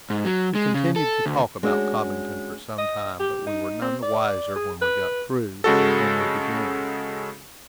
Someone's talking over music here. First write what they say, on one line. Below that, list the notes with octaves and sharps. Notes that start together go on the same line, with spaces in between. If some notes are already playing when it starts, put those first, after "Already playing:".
We continued to talk about Cobbington for some time; but we were none the wiser when we got through than when we began.
G#2
F#3
G#3
C#3
A4
D2
G#3 C#4 D4 F#4
D#5
G4
D#4
C4
D5
G#4
B4
C#3 G#3 F#4 A4